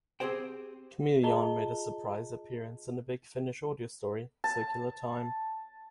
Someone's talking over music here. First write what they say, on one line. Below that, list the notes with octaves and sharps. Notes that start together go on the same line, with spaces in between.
Kamelion made a surprise appearance in the Big Finish audio story "Circular Time".
C4 G4 G#4 C5 G5
F4 G#4 D#5 A5 A#5 G7
A5